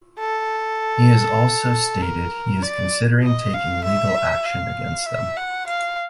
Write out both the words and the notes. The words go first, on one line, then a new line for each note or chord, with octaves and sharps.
He has also stated he is considering taking legal action against them.
A4
A#4
D5
D#5
F5
E5
F5
E5
F#5
F5